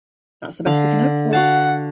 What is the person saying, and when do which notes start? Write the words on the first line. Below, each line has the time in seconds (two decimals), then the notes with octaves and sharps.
That's the best we can hope for.
0.66 D3 F5
1.33 F#4 F5 F#5 A5